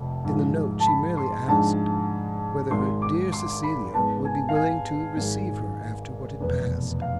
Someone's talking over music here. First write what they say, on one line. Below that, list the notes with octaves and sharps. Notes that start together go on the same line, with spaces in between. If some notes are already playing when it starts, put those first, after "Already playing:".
In the note she merely asked whether her "dear Cecilia" would be willing to receive her after what had passed.
Already playing: F1 F2 C3
G#2 F3 G#3
A5
B5
C6
G#2 F3 G#3 D4 A5
G#1 G#2 G#3 C6
D6
C6
B5
G#2 G#3 B3 A5
G#5
F5
G#5
G#1 G#2 G#3
F1 E2 B2 B3
F5